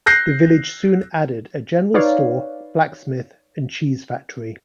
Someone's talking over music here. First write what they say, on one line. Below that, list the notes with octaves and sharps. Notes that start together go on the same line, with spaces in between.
The village soon added a general store, blacksmith and cheese factory.
F#6 G6 A#6 C7
D#4 B4 C#5 D5 F5